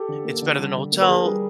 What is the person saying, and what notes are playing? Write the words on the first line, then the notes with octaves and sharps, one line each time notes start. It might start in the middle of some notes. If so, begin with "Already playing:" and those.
it's better than a hotel."
Already playing: G4 A4
D3
A#3
D3
G3
D3
A#3
B4
D3 G#4 A#4
G3